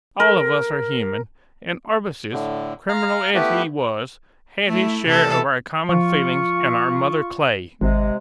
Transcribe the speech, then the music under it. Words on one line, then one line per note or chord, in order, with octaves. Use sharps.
All of us are human, and Arbaces, criminal as he was, had his share of our common feelings and our mother clay.
A#4
A2 D3
F5 A#5 F6
A3 B3 E4 G4 B4
A3 E4
C3 E3 A4
F3 F4 C#6
G#1 C3 G#3